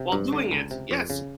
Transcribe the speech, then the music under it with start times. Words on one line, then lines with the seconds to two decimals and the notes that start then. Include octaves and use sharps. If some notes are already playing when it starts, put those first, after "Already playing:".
while doing it yes,
Already playing: C3
0.12 G2
0.33 D3
0.51 C#2
0.71 C3
0.91 F2
1.10 C#3